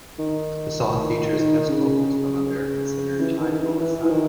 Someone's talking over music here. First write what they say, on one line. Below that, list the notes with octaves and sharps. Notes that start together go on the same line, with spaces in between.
The song features guest vocals from American singer Ty Dolla Sign.
D#3
D#3
C#3
C#3
E3
D#3
E3
E3
E3
D#3